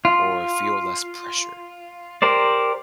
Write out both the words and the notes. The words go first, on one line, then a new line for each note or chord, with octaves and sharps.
or feel less pressure?
F4
G4 A#4 C5 D5